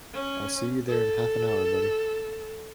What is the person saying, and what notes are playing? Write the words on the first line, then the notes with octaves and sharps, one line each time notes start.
I'll see you there in half an hour buddy.
C#4
A4